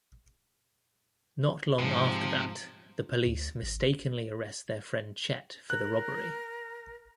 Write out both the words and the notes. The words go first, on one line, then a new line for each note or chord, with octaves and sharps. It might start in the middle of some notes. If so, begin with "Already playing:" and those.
Not long after that, the police mistakenly arrest their friend Chet for the robbery.
G#2 C3 F3
D2
G#1
A#4 F#6